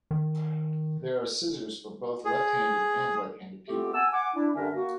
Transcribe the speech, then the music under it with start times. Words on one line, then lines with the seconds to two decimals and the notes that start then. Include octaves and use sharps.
There are scissors for both left-handed and right-handed people.
0.11 D#3
2.25 G#4
3.68 A3 B3 C4 F4 G4
3.94 F#5 G#5 A5 E6
4.12 F#5 G#5 D6
4.34 D4 E4
4.54 G2 D3 C#4 D4 A#4 E5
4.74 A#3 F#4